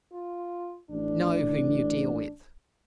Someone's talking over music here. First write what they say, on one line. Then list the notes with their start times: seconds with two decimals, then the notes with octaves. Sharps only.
Know whom you deal with.
0.12 F4
0.90 A1 D4